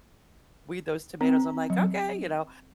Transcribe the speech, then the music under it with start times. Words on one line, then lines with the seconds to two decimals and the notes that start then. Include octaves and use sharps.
weed those tomatoes." I'm like, "Okay," you know?
1.21 C4
1.70 F#3